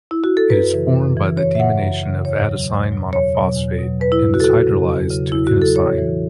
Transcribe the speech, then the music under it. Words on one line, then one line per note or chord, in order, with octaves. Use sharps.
It is formed by the deamination of adenosine monophosphate, and is hydrolysed to inosine.
E4
F#4
A4
F#2 B4
C#3 E3
F#2
C#3 E3
F#2 C#5
E5
C#3 E3 F#5
F#2
C#3 E3
E2 C#5
B2 F#3
E2
B2 F#3
E2 C#5
B2 F#3
E2
B2 F#3
E2 B4
E4
C#3 F#3
F#4
A4
E2 F#4
C#3 F#3
E2
C#3 F#3
E2 E4
F#4
C#3 F#3
A4
A2 C#5
E3